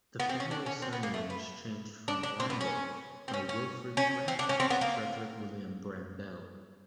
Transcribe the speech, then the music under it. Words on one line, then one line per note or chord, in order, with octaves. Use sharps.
The family surname was changed from "Bramble" by Wilfrid's grandfather Frederick William Brambell.
B3
C4
C#4
D4
C#4
C4
B3
A#3
A3
B3
D4
D4
C4
B3
C#4
C4
C#4
C#4
C#4
C4
D4
C#4
C4
B3
A#3